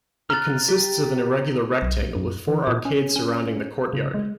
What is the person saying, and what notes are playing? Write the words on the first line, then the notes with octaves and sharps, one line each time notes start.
It consists of an irregular rectangle with four arcades surrounding the courtyard.
A#5 F6 F#6 A6
G4
B1
F#2
E3
A#2
C#4
C#4
C#3
G#3